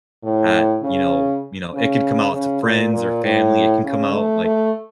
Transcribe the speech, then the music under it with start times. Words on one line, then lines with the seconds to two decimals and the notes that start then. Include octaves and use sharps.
at, you know, you know, it can come out to friends or family. It can come out, like
0.23 A2
0.82 C#3
1.74 C#3
2.33 C#3
2.63 A#2
2.93 A#2
3.24 A2
3.83 C#3
4.13 A3
4.44 A3